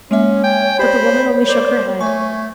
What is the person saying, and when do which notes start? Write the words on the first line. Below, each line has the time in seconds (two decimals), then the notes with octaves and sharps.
But the woman only shook her head.
0.11 G#3 A#3 C#4 C#5 E5
0.44 G5 G#5
0.79 G4 C5 D5 B5
1.49 A#4 C5 D5
2.01 A3 G#5 C#6